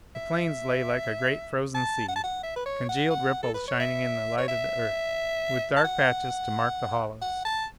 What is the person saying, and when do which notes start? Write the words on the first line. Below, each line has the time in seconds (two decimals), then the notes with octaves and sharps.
The plains lay Like a great frozen sea, congealed ripples shining in the light of the Earth, with dark patches to mark the hollows.
0.15 E5
1.75 A5
2.08 F#5
2.16 A5
2.24 F#5
2.43 E5
2.56 B4
2.66 C#5
2.89 F#5
3.11 F#5
3.43 A4
3.54 B4
3.68 C#5
3.80 E5
4.37 C#5
4.48 E5
5.77 A5
5.84 F#5
7.22 F#5
7.45 A5